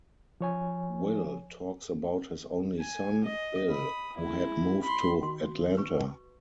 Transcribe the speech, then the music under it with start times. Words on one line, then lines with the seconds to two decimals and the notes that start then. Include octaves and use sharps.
Will talks about his only son, Bill, who had moved to Atlanta.
0.41 F3 C#5 G#5
2.79 G#5
3.24 D#5
3.68 B5 D#6
4.17 G#3 E4
4.84 B5 C6
5.23 D#3 F#4 C6
5.77 B4 C#6